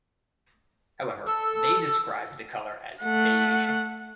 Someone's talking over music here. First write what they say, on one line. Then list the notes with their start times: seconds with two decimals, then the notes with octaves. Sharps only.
However, they described the color as "beige".
1.26 A4 E6
3.02 A3 F#5